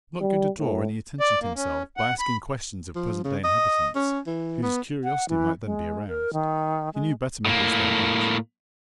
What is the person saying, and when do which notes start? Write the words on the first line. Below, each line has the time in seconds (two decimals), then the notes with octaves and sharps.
He was not going to draw any attention to himself by asking questions of present-day inhabitants, whose curiosity might then be aroused; he knew better methods than that.
0.21 G3
0.59 A2
1.20 D5
1.41 A#3
1.56 C#4
1.97 F#5
2.19 B5
2.96 F3
3.24 C#3
3.44 D#5
3.95 C#4
4.27 E3
4.62 B3
5.04 F#5
5.29 E3
5.64 G#3
6.08 A#4
6.33 D#3
6.94 G#3
7.45 A2 A#3